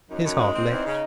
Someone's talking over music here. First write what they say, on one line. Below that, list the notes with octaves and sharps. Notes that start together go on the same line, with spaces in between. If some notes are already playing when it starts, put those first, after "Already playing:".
His heart leapt.
F#2 D#4
F#2
G#3
C4
E2 D#4
C#3